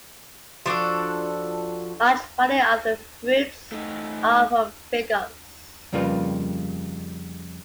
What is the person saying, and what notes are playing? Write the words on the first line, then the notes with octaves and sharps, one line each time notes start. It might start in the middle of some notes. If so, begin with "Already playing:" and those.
Large variety of the fruits are from "Ficus".
F3 D4 F#4 A4
A3 D#4
F2 C#3 G3 A#3 F4 B4